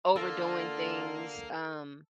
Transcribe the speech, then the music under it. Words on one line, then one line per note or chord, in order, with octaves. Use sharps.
overdoing things, um,
D3 A#3 F4 A4